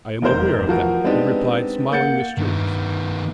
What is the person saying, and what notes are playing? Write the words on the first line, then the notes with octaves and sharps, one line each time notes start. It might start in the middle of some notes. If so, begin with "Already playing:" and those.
"I'm aware of that," he replied, smiling mysteriously.
F1 E2 A#4 C5 G6
E3 F3 F#4 A#4
G#3 B3 C4 D4 D#4 G4
A#3 F#5 G6 A6 C#7
G2 D#3 B3